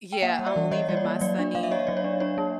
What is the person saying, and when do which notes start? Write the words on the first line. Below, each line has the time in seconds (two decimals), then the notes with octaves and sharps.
yeah, I'm leaving my sunny
0.12 G5
0.22 A#3 E5 F#5
0.39 G3
0.47 D5 E5
0.56 E3
0.71 E3 C#5 D#5
0.89 G3 D5
0.97 C#5
1.05 A#3
1.21 F#3 D5
1.39 D4
1.55 F#3 F5
1.63 E5
1.71 D4 C#5 D#5
1.87 F#3 D5
1.97 C#5
2.04 D4
2.20 D4 C#5
2.38 A#3